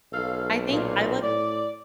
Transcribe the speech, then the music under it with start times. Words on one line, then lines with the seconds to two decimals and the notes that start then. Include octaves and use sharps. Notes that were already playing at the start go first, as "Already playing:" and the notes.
I think I look
0.13 B1 F#3 A4 F5
0.70 A#2
1.23 A2 D5